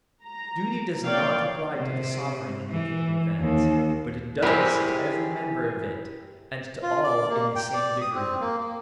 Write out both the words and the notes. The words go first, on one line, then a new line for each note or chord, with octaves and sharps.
Duty does not apply to the sovereign in the kingdom of ends, but it does to every member of it and to all in the same degree.
A#5
A#3 C#5 D5 F5 G5
C3
E3
D#2
G3 C4 E4 G4 G#4 A#4 B5
F4
D5
A#3
G5
D5
D#6
C4
A#3
A#3